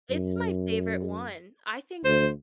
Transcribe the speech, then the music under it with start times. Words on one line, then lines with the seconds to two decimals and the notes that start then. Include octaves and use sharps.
It's my favorite one, I think
0.10 F#2
2.05 D2 C5